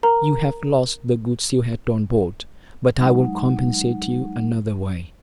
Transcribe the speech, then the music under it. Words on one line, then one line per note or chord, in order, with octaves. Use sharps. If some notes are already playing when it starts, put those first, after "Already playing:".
You have lost the goods you had on board, but I will compensate you another way.
A#4 A#5
F#3 G#3 D#4 F#5